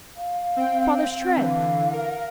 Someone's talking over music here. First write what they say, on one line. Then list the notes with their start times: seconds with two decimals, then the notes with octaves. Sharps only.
Father's tread!'
0.16 F5
0.56 C4 G5
1.36 D3 E3 F5
1.93 A#4